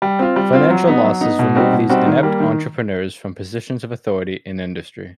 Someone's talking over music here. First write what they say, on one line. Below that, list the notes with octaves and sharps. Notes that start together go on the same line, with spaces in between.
Financial losses remove these inept entrepreneurs from positions of authority in industry.
G3
C4 F4
G3
C4 F4
F#3
B3 D#4
F#3
B3 D#4
B2
G3 C4 D#4 F#4
B2
G3 C4 D#4 F#4
D#3
G3 A#3
D#3